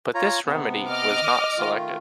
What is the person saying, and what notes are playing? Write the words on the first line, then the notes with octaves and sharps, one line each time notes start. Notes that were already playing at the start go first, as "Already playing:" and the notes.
But, this remedy was not selected.
F4 C#5 A#5
C3 B3
D#5 D6 F6
D#3 A3 F4